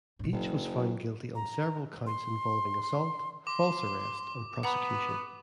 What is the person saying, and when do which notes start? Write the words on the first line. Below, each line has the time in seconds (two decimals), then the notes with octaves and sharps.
Each was found guilty on several counts involving assault, false arrest, and prosecution.
0.19 G2 B2
0.33 F#1 F#3
1.35 A#5
2.06 C6
3.47 C6 D6
4.63 B3 B4 F#5 A#5 B5